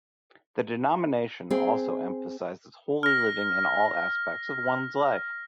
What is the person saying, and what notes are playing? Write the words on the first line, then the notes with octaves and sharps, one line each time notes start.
The denomination also emphasizes holy living in all aspects of one's life.
C4 G#4
F6 A#6